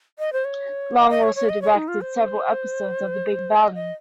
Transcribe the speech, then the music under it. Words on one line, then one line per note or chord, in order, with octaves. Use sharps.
Long also directed several episodes of "The Big Valley".
D#5
C5
C#5
D#5
D#5
C#5
C#5
D#5
C#5
D#4
F4
C5
D#5
D#5